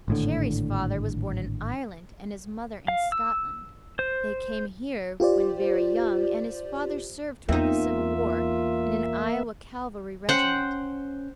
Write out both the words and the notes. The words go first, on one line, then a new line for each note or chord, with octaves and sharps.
Cherrie's father was born in Ireland, and his mother in Scotland; they came here when very young, and his father served throughout the Civil War in an Iowa cavalry regiment.
G#1 A2 D3
F5
E6
C5
F4 G4 C5 D5
E2 A#3 C4 D#4 F4 E5
C#4 C5 F#5 G5 G6